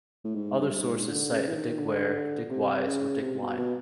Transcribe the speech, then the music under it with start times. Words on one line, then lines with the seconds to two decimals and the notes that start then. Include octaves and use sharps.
Other sources cite a Dick Ware, Dick Wise, or Dick Wine.
0.24 A2
0.35 G#2
0.59 G2
0.82 G#2
1.07 D3
1.31 C#3
1.47 E3
1.55 D#3
1.78 D3
2.50 C3
2.85 C#3
3.22 C3
3.40 B2
3.58 B2